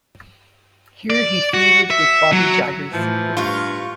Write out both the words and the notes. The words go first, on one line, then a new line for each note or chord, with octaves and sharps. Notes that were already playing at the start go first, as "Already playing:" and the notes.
Here he feuded with Bobby Jaggers.
D5
F#4
E5
F#3
A2 E3 F3
G2 F4 C#6